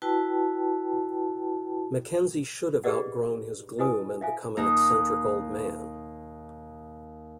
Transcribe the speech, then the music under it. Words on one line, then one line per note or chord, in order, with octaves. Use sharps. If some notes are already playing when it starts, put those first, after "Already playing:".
Mackenzie should have outgrown his gloom and become an eccentric old man.
E4 F#4 B4 G5 A5
G4 G#4 B4 D5 D#5 F#5
E4 F#4 B4 D#5 G#5 D#6
E5 F5 G#5
D#2 D#4